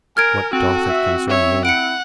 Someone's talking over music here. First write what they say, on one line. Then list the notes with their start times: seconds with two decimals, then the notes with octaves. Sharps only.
What doth it concern me?
0.17 A#4 G#5 F6 G#6 D7
0.53 C4 F#4 A4
0.88 E5
1.29 C#5 E5
1.65 E4 F#5 C#7 D7